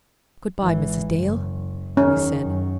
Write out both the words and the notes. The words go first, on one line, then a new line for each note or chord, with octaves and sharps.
"Good-by, Mrs. Dale," he said.
G#1 E3
F#1
E2 D#3 C#4
F#2